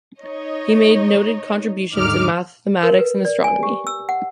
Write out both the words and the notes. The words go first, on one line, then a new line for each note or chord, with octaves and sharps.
He made noted contributions in mathematics and astronomy.
D#4 C#5 D#5
D#2 G#2 D3 D#4 D6 F6
A#4
B4
D5
G#5
G4
E6
F#5